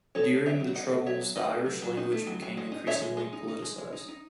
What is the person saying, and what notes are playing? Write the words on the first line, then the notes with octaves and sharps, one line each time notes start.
During The Troubles the Irish language became increasingly politicised.
D#4 A4 C#5
A3
F#3 C#5 E5
F#3
D#4 D#5 F#5
A3
F#3 C#5 E5
F#3
D#4 B4 D#5
A3
F#3
F#3
D#4
A3
F#3
F#3
G#3
D#4
D#4 C#5 E5
G#3
G#3
D#4
D#4
G#3
G#3
D#4
D#4